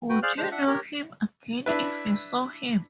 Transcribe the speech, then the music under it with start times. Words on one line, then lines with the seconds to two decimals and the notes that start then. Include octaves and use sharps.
Would you know him again if you saw him?
0.09 F#4 B4 G5
0.23 G#4 C5 D5 F5 F6 F#6
0.37 G#3 D4 C5
0.52 D4 E5 F#5
0.67 G4 A#4 C#5
1.66 D4 E4 B4